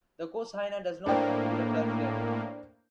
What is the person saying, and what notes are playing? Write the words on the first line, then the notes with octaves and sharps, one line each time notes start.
The co-signer does not have to be a blood relative.
A2 A#3 D4 C5 G5